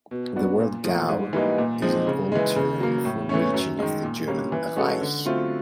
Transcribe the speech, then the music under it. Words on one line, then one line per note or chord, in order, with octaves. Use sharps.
The word Gau is an old term for a region of the German "Reich".
B2
F#3 B3 D4 F#4
A#2
F3 A3
G#2
E3 G3 A#3 D#4
A#2
F3 G#3 C4 D#4
C#3
E3 G#3
C#3
F#3 A#3
A2
E3 A3 C#4
F#2
D#3 G#3
A#2
G3 A#3 C#4
E3
G#3 C#4 F#4 A4
D3
F#3 A3 C4 F4